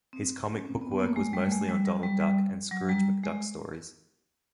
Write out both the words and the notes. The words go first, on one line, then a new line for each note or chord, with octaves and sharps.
His comic book work was mostly on Donald Duck and Scrooge McDuck stories.
C4
C#4
C4
B3
B3
A#3
A3
G#3
G3
A3
G#3
G3
F#3
G3
G3
F#3
G3
G#3